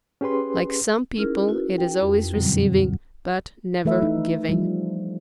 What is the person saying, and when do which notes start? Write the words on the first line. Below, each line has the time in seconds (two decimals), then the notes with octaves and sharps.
Like some people, it is always receiving but never giving.
0.21 C#4 G4 G#4 B4 C6
1.16 C#4 D#4 E4 G#4 A#4 F6
1.48 E4 F#4 A#4 B4
1.78 G5
2.01 F2
2.34 F#2 B2 D3 F#3 G3 C4
2.76 D2
3.85 E3 A3 B4 E5
4.02 D#4
4.49 F3 G3